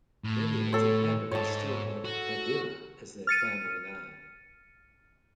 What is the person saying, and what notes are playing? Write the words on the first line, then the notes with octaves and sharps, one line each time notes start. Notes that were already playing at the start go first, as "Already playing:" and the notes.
Many of its inhabitants still have "Padilla" as their family name.
A2
A4 C#5
G#2 C#5 A5
F#4
F6 A6 C#7 D#7